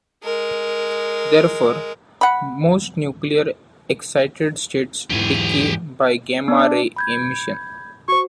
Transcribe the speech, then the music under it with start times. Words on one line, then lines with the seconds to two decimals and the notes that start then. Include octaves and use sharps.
Therefore, most nuclear excited states decay by gamma ray emission.
0.24 G#3 A#4
2.21 F#5 B5
5.10 E2 G#2 E3 G4 G#5
6.48 B3 D4
6.96 B5 G6 G#6
8.08 F#4 C5 C#6